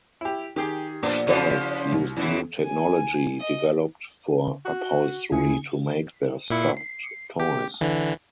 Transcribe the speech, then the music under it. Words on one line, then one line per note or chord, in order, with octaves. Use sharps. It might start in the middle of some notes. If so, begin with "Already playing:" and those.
Steiff used new technology developed for upholstery to make their stuffed toys.
E4 G4
D#3 G4 G#4
A#2 F3 B3 D4
C#3 F3 E4 F#4 C#5
C2
F#2 B2 E3 E4
G#5
D#5
F#4
D2 A3 E4 G#4
A#2 E4 C#7
C7
G4
D3 E3